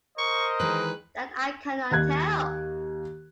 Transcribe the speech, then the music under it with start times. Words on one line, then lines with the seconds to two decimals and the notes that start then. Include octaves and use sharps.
That I cannot tell.
0.18 A#4 C5 D#5 C#6
0.60 D#3 E3 G#3 B4
1.91 D#2 F#6 G#6